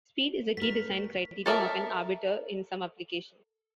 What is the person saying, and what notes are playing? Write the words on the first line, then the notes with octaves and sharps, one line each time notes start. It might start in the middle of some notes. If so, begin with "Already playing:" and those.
Speed is a key design criterion of an arbiter in some applications.
A3 A#4 B6
A4 A#4 D5 E5 A5